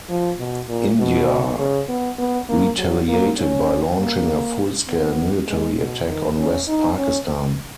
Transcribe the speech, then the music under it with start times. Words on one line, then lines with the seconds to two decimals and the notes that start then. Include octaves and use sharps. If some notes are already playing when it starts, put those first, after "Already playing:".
India retaliated by launching a full-scale military attack on West Pakistan.
0.09 F3
0.39 B2
0.69 A#2
0.99 B2
1.59 C#3
1.89 B3
2.19 B3
2.49 A#3
2.78 F#3
3.08 A#3
3.39 C#4
3.98 A#3
4.88 B3
5.48 G#3
5.78 B2
6.08 D#3
6.38 C#4
6.68 D#4
6.98 C#4